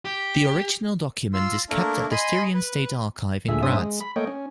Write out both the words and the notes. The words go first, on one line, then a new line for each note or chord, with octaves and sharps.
The original document is kept at the Styrian State Archive in Graz.
G4
F4 C6 E6
A3 A#3 D4 E4 A#4
D#5 G#5 B5 C6
B4
D2 A#2 G#4 E5
G2 C#4 C5 E5 D#6
G#3
B5
A3 A#3 C#5 D#5 G5
C#4